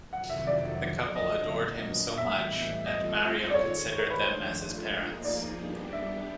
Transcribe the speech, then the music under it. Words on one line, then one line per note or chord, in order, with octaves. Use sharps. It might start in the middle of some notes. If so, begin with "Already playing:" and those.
The couple adored him so much and Mario considered them as his parents.
F2 C3 D#3 F#3 F#5
E5
D5
F2 D3 F#3
D#5
A#2 F#3 B3 D4
A2 E3 G3 B3 E5
G3 C4 F4 A4 D#5
D5
G#2 D#3 G#3 C#5
A#4
B4
G#2 F3 A3 D4 C5
F3 A#3 D#4 G#4
D5
G3 B3 D4 G4
E5